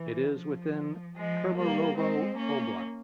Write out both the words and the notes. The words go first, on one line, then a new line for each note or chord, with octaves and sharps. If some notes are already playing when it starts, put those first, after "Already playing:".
It is within Kemerovo Oblast.
Already playing: E3
F3
F3 G#3
G3 A#3
G#3 C4
A#3 C#4